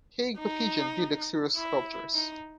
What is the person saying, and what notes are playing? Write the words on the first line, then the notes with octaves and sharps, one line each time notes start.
Haig Patigian did the exterior sculptures.
D#4
E4
D#4